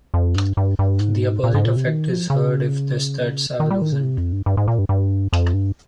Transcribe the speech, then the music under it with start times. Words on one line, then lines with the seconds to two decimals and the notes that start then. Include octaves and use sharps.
The opposite effect is heard if the studs are loosened.
0.14 F2
0.35 G2
0.57 G2
0.79 G2
1.00 G#2
1.44 A#2
1.54 G#2
1.65 A#2
1.76 C3
1.87 D#3
2.08 F3
2.30 C#3
3.60 D#3
3.71 G3
3.82 D#3
3.92 C#3
4.03 C3
4.18 F2
4.32 G2
4.46 G2
4.57 G#2
4.68 A#2
4.78 G2
4.89 G2
5.33 F2
5.54 G2